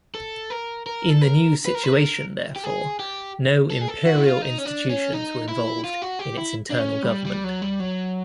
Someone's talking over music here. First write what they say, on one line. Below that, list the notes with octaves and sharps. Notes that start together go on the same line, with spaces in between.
In the new situation therefore, no Imperial institutions were involved in its internal government.
A4
A#4
A#4
A4
A#4
B4
A#4
B4
A#4
G4
G#4
G4
A4
G#4
A4
F#4
E4
F4
D#4
C#4
D4
C#4
D#4
E4
F4
F#4
G4
E4
D4
C#4
G3
G3
F#3
G3
F#3